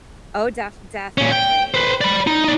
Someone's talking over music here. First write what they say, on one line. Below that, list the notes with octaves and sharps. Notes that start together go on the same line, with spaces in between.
Oh, def definitely.
A#2 C#4
G5
B4 C5
D5 B5
D#4
D#4 D5